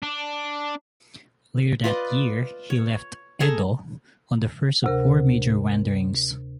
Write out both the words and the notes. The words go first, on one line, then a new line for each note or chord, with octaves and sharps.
Later that year he left Edo on the first of four major wanderings.
D4
F4 B4 D5 D#5
C#5
G#4 A4 G#5 A#5
D2 C3 A#4